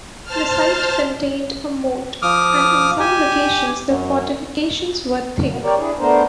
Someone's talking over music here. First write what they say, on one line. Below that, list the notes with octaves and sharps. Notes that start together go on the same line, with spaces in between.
The site contained a moat, and in some locations the fortifications were thick.
C5 A5 F6
F3 D6 D#6 F6
G4 G#5
F#2
B2 D#3 A#3 B3
G4 A#4 C#5 D5
D4 E4 G#4
A3 B3 D4 A#4 C5